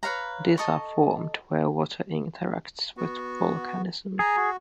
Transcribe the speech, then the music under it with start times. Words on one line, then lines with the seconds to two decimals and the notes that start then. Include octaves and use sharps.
These are formed where water interacts with volcanism.
0.03 B4 C#5 F5 A#5
0.58 A4 D#5 A#5 C#6
2.97 B3 F#4
4.19 G#4 G#5 A#5
4.36 F#4